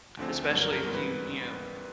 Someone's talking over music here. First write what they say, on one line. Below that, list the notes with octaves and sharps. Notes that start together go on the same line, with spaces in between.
Especially if you, you know
D2 D3 F3 A3 C4
G2 D3 F#3 A3 A4
A#4
A#4
G#2 E3 G3 B3 A#4
B4